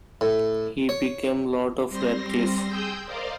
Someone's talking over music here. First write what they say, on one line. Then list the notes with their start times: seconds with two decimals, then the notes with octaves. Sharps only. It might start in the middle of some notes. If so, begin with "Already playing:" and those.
He became Lord of Radcliffe.
0.21 A2
0.89 C#5
1.89 G3 C4 C6 A#6
2.67 G#4 G5 C6 D#6 E6 G6
3.06 A#4 C5 D5 D#5 F5